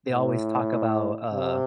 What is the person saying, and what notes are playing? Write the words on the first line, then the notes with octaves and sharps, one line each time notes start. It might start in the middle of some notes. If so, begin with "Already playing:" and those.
they always talk about, uh,
A2
C3